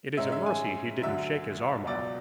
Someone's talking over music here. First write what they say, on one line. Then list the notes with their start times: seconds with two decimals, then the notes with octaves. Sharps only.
It is a mercy he didn't shake his arm off.
0.17 G#2 G#3 C#4 E5
0.32 E5
0.46 G#5
1.02 D2 D3 F#3 E5
1.87 C#2 B2 F#3 D5